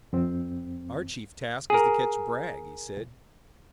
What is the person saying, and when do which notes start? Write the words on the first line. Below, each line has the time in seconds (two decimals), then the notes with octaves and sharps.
"Our chief task is to catch Bragg," he said.
0.13 F2 C4
1.70 G#4 A#4